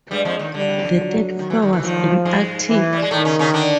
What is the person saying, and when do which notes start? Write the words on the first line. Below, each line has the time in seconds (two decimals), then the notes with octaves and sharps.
The third floor was an attic.
0.10 G2 G3 G#3
0.25 F2 F3
0.39 D#2 D#3
0.54 D3 G3
0.96 F#3
1.39 D#3
1.50 E3
1.62 D#3
1.73 E3
1.83 D#2 D#3 F3
2.25 G#2 G#3
2.69 E3
2.93 G3
3.02 G#3
3.11 A2 D#3 A3
3.25 C#3 C#4
3.39 C#3 C#4
3.54 D3 D4